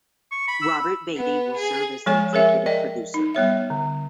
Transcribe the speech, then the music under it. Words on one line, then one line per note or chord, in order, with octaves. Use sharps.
Robert Beatty will serve as an executive producer.
C#6
B5
E6
B3
G#4
F3 G#3 A4 C#5 G#5 C#6
G#4 A#4 C#5 E5 G#5
A#4 D5 D#5 G5
D#4
G3 B3 C#5 E5
D3